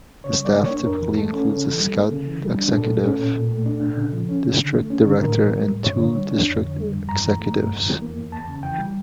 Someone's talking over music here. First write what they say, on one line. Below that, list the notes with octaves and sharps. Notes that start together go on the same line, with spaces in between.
The Staff typically includes a Scout Executive, District Director and two District Executives.
C#3 C#5
G3
D5
A#3
C#5
D4
F2 A#4
E3
A3 A4
C#4
C#3
E3
G3
A#3
C#3
E3
G3
D4
A#2 A4
A3
C#4
A#2
A#2
A3
D4
A#2
C#3
F3
C#4
C#3
D3
A3
C#4
D3
A2 A#4
E3
G3
A2
G2 C#5
D3
G3
D4
F2
D3
G3
F2
G2 A#5
E3
A3
G2
E2
E3
A#3
E2
E2 A5
C#3
E3 G5
G3